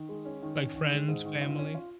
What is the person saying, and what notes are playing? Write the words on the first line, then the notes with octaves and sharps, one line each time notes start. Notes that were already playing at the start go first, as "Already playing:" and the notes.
Like, friends, family?
Already playing: D#3
G#3
C#4
D#3
C#4
D#3
G#3
G#2
D#3
F4
C#4
F4